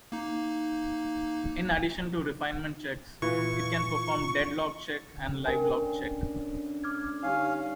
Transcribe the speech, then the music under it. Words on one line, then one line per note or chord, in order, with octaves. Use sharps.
In addition to refinement checks, It can perform deadlock check and livelock check.
A#3 D#4
A#2 E3 F4 C#6
D3
A3 C#4 D4 A#4 G5 G#5
D6 F6 G#6
D3 G3 C#4 D#4 G4 F5